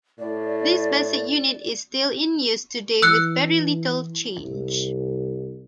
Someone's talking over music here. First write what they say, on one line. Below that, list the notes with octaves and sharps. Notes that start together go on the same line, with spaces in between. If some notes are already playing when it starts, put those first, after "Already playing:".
This basic unit is still in use today with very little change.
A2 D5
E3 E6 F#6 C#7
C2